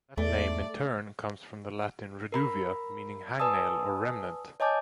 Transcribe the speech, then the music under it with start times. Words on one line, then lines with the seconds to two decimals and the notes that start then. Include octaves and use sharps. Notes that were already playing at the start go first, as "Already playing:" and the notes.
That name, in turn, comes from the Latin "reduvia", meaning "hangnail" or "remnant".
0.17 E2 A3 D5
2.32 A#4 A#5 B5
3.39 B4 D5 G#5 A5 D#6 E6
4.60 C#5 D#5 G#5 A5 D6 G6